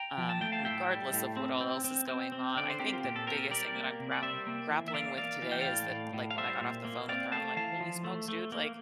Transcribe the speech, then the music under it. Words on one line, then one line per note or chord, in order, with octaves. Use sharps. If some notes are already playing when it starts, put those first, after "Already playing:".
um, regardless of what all else is going on. I think the biggest thing that I'm grapp grappling with today is that, like, when I got off the phone with her, I'm like, "Holy smokes, dude, like,
Already playing: G5 A#5
F3
A5
A3 G5
F5 A5
A2 E5 G5
G3
A2
C4
C4
C4
C4
C4
D3 D5
C5
C4 G4 A#4
F4
A#2 G4
A4
C4 G4 A#4
G3 A#4 D5
A#3
C3
D5
G3 C5 E5
A#3
E3
E5
A#3 D5 F5
A#3 D5 F5
E3 F5
G5
A2 D5 F5
A2
A2
F5
G3 C5 E5
A#2
A#3
C4 D5 F5
A3 F5 A5
E3 F5 A5
F3
A3
A3
A#3